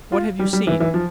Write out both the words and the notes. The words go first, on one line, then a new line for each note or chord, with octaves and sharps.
"What have you seen?"
F4
G3
G3
E3
E3
F3